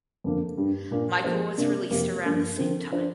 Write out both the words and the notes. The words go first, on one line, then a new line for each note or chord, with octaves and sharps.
Michael was released around the same time.
F2 D3 A#3
G2 G3 D4
A#2 A#3 D4
F3 A#3 G4 C5
C3 A#3 D4
F2 C3 A#3 G4
G2 F3 A#3 D4 A#4
D3 F3 C4 A#4
F3 D4 F4 C5